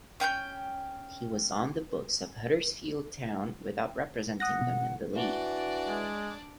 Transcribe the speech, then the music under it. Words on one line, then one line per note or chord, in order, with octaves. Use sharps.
He was on the books of Huddersfield Town without representing them in the league.
C#4 G5 C#6 G6
F#5 D#6 F#6 A#6
B2
E3 D4 F#4 D5
G#3